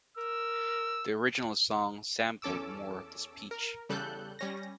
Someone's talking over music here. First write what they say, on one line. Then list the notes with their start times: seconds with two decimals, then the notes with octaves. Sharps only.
The original song sampled more of the speech.
0.17 A#4 E6
2.42 E2 C#4 A4 D6 E6
3.51 A#4
3.89 E2 C#3 G3 A4 F#6 G6
4.39 G3 C#4 A#6